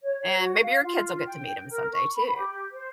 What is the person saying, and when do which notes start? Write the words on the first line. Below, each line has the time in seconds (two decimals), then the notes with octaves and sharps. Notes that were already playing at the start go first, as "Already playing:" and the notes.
and maybe your kids will get to meet him someday too,
0.03 C#5
0.19 C#5
0.38 F#4
0.62 F5
0.83 F4
1.25 G5
1.67 A#4
1.93 C#6
2.16 B5
2.36 G4
2.72 C5